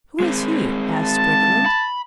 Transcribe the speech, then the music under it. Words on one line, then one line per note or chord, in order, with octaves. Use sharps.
"Who is he?" asked Briggerland.
G#3 C4
A5
B5